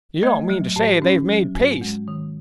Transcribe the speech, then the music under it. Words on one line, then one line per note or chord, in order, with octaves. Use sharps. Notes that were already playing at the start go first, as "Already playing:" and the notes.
"You don't mean to say they've made peace?"
A3 D#5
F#3
A2
C#4
F#3
G#2
G#3
D#3